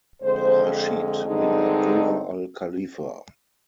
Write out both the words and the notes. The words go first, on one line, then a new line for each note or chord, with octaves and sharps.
Rashid bin Abdulla Al Khalifa.
F2 D3 G#3 C5
G2 D3 G#3 C4 D#4